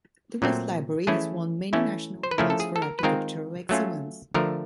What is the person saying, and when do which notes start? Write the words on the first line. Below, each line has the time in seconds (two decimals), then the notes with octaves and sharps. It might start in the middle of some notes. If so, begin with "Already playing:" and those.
The West Library has won many national awards for architectural excellence.
0.42 A#2 F#3 A3 C4
1.07 E3 A3 C#4 E4 G#4
1.73 E3 A3 C#4 E4
2.23 C5
2.31 B4
2.38 F3 A3 C#4 E4 A#4
2.50 A4
2.60 G#4
2.76 A4
2.82 A#4
2.99 B4
3.03 D#3 G#3 C4 F4 A#4
3.69 F#3 A3 C#4 F4
4.34 D3 F3 A3 A#4